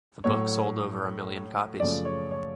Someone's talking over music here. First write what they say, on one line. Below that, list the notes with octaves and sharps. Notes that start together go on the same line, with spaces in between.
The book sold over a million copies.
A2 F#3 A3 C#5
F#2 C#3 F3 A3 D5
C#5
C#5